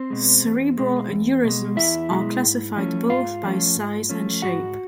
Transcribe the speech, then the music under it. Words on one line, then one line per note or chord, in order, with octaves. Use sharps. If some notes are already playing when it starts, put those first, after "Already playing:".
Cerebral aneurysms are classified both by size and shape.
Already playing: C4 C5
B2 G#3
E2
B2 G#3
E2
B2 G#3
E2 E4 E5
B2 G#3
G#2
F3 A3 C#4
G#2 F4 F5
F3 A3 C#4
G#2
F3 A3 C#4
G#2 F#4 F#5